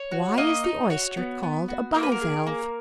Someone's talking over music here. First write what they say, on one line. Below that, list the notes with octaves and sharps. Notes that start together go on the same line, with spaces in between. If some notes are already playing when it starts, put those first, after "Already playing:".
Why is the Oyster called a bi-valve?
Already playing: C#5
F#4
A#3 D#5
D#4
F#4 C#5
B3
B3
F#4
A#3 A#4
B4
A#4
G#4
A#3